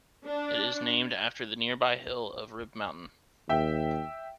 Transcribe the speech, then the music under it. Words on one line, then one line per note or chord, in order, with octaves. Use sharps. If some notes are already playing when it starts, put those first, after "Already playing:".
It is named after the nearby hill of Rib Mountain.
D4
D#2 E5 G5